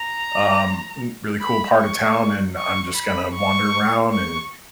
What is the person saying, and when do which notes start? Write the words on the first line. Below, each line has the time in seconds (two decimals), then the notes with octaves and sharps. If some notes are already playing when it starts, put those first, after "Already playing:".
um, really cool part of town, and I'm just gonna wander around and,
Already playing: A#5
1.41 B5
1.79 C#6
2.57 C#6
2.95 B5
3.34 C#6
4.11 C#6